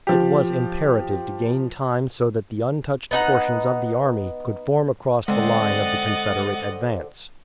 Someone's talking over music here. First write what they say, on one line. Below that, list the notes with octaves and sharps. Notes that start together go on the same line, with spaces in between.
It was imperative to gain time so that the untouched portions of the army could form across the line of the Confederate advance.
F3 G4
B3 D#4 F#5
D3 G#3 C4 D#5 F#5 A6